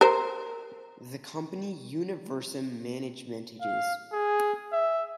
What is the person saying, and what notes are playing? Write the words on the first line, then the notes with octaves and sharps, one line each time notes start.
The company Universum Managementges.
A#4 C5
F5
G#4
E5